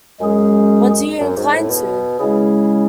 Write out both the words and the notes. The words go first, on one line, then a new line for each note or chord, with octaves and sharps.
What do you incline to?
F#2 G#3 C#4 G#4
F#2
G#2
A2
B2
C#3 G#3 C#4 E4 G#4